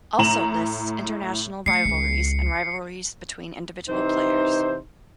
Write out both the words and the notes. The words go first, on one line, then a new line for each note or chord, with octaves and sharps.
Also lists international rivalries and rivalries between individual players.
A2 A#5 E7 F#7
A3 C7 C#7
C#2
C3 E3 D#4 C5